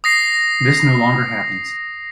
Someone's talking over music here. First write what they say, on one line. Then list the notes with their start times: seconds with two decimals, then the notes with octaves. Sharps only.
This no longer happens.
0.04 D#6 A#6 C7